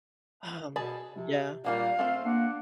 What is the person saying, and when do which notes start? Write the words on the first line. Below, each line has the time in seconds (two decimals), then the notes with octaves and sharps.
um, yeah.
0.76 B2 G#4 A5 B5
1.12 C3
1.65 A#2 G3 A#3 F#4 F5
1.99 A3 C4 F4 E5
2.24 A#3 D4 F#5